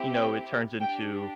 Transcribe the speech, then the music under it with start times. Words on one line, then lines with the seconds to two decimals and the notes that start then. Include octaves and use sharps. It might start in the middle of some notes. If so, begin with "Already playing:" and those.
you know, it turns into,
Already playing: C4 E4 G4
0.13 G5
0.80 D4 G4 G5